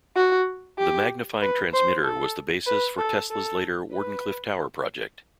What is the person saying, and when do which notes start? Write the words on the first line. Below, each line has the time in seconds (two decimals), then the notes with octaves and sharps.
The magnifying transmitter was the basis for Tesla's later Wardenclyffe Tower project.
0.16 F#4
0.79 G4
1.42 B4
1.73 C5
2.05 A4
2.67 B4
2.98 A4
3.31 A4
3.93 B4